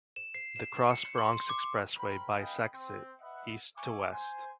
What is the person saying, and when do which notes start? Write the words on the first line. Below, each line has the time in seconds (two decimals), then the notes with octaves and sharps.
The Cross Bronx Expressway bisects it, east to west.
0.16 E7
0.34 C7
0.56 E7
0.91 C#7
1.18 C6
1.49 D6
1.97 A#4 C5 G5 B5
2.35 B4 D#5 F5 G5 G#5 B5
2.73 C4
3.21 B4 D#5 E5 F#5
3.76 E5 G#5 C#6 D6
4.10 C5 G#5